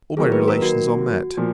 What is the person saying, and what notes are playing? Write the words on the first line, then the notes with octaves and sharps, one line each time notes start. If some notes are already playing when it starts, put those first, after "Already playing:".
All my relations are met.
D#3 F#3 A#3 G#4
B4
A#4
F#4
A#2 F3